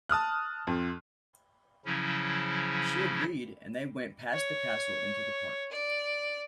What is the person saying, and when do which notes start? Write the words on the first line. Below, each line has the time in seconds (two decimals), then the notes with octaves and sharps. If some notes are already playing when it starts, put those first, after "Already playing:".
She agreed, and they went past the Castle into the Park.
0.09 A5 D#6 F6 F#6
0.67 F2 F3
1.85 C#3 F3 F#3 C#4 E4
4.33 C#5
5.71 D5